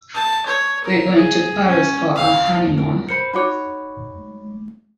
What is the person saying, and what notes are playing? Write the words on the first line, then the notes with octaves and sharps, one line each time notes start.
We're going to Paris for our honeymoon.
A5
C#5
A#4
G#4
C#4
F5
A#4
A#4 C5 B5 C#7
D#4 F#4 C#5 B5 D6